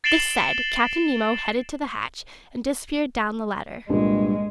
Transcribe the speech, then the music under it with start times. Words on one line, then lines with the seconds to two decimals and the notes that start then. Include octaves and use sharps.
This said, Captain Nemo headed to the hatch and disappeared down the ladder.
0.04 A6 C7 D7 E7 F#7 G7
3.89 C2 G2 A#2 G#3